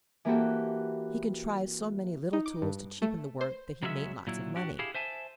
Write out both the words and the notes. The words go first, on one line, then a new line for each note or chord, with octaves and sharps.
He contrived so many little tools to cheapen the work that he made lots of money.
E3 A#3 C4 F#4 G4 A4
D#4
D6
G2
A3
C5
C#3 F#3 G#3 C#4 C#5 E5
A#2 F#3 E4
D4 F#4 G4
E4 G4 G#4 F5
C5 E5 G#5 A5